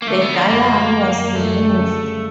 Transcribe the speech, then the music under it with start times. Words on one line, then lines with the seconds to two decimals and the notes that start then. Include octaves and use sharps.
The gallery was removed.
0.02 A#3
0.07 D3 A3
0.21 B3
0.29 D3
0.35 A#3
0.49 F#2 A#3
0.71 F#3
0.92 F#3
1.14 F#2
1.35 F#2 A3
1.57 D3
1.78 C#3
2.00 G3